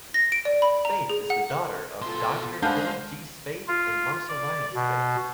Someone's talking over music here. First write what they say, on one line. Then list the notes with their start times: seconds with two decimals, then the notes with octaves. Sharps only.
Spaeth is the daughter of Doctor Philip G. Spaeth and Marcia Ryan Spaeth.
0.14 A#6
0.32 D7
0.45 D5
0.62 B5
0.85 A#5
1.09 G#4
1.30 F#5
2.02 B2 F4 A4 C6
2.62 G#3 D4 B4 C5 F5 F#5 G6
3.68 F4
4.29 D5
4.74 B2